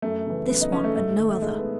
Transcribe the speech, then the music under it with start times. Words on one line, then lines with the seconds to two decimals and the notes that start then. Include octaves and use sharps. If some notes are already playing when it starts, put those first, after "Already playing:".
This one and no other.'
0.02 F#2 A3
0.26 C#3 E3
0.49 F#2 B3
0.61 D#4
0.72 C#3 E3 C#4
0.84 A3
0.96 G#2 A3
1.20 D#3
1.31 A3
1.42 G#2 G#3
1.58 B3